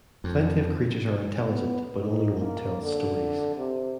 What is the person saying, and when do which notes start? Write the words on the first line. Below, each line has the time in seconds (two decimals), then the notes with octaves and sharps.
Plenty of creatures are intelligent but only one tells stories.
0.24 F2
1.48 B3
1.97 G#2
2.39 A#3
2.82 D3
3.56 C3